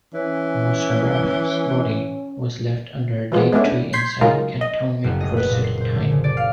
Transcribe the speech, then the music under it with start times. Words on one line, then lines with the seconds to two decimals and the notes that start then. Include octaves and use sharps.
Mosharraf's body was left under a date tree inside cantonment for a certain time.
0.14 E3 C#4
3.32 E3 F3 G#3 B3
3.52 G#3 A3 B3 C#4 D4 E4
3.93 C6 G6 G#6 B6 C7
4.21 C#3 F#3 G#3 D#4 F4 A#4
4.61 D#5
5.04 F#1
5.20 D#5
5.37 B4
5.49 A#2
5.64 C7
5.81 C5
5.95 D3
6.11 C#3
6.24 D5
6.37 F5